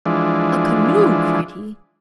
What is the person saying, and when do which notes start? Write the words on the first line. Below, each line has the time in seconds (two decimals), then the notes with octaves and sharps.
"A canoe!" cried he.
0.06 E3 F3 G#3 D4